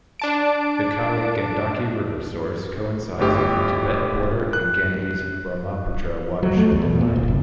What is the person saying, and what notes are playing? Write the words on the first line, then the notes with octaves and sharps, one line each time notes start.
The Kali Gandaki river source coincides with the Tibetan border and Ganges-Brahmaputra watershed divide.
D4 A5 D7
G1 A2 G4
F#6
F#3
A3
E2
B2
A#2
D#1
F#1